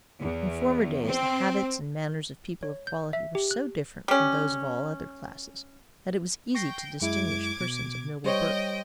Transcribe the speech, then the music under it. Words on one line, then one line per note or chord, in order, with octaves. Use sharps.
In former days the habits and manners of people of quality were so different from those of all other classes that it was easy to distinguish persons of noble birth.
E2
C4
C#5
G6
E5
G4
F#6
G3 C#4
G5 C#6 A#6 C7
F#2 G#3 E4 D6 G#6
B2
G3 C5 C#5 D#5 G5